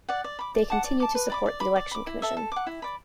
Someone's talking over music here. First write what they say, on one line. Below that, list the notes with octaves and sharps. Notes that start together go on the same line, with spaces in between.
They continue to support the election commission.
D5 F#5
D5
B5 D6
D5
F#5 A5 D6
D5
A5 D6
B4
D5 B5 D6
D5
B5 D6
D5
B5 D6
E4
A4 E5
A4
F#5 D6
E4
D5 B5